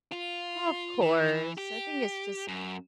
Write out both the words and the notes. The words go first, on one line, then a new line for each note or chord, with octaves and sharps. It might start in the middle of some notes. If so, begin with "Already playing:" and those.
Oh, of course. I think it's just
F4
E3
G4
F#2